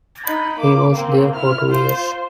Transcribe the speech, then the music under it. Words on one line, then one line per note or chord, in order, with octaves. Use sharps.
He was there for two years.
D#4 B5
A#3 D6
A#3 C4
E4 F6
F4 C5